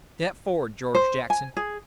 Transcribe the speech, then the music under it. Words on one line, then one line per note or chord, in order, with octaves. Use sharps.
Step forward, George Jackson.
C5
G#5
G#4